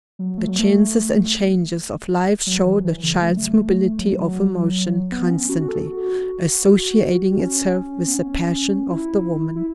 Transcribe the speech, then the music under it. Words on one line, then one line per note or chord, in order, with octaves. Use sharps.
The chances and changes of life show the child's mobility of emotion constantly associating itself with the passions of the woman.
F#3
A3
F#3
A3
F#3
E3
E3
C#3
A3
F#3
A3
F#3
F#3
B3
C#4
F#4
F#4
A4
F#4
C#4
B3
C#4
E4
E4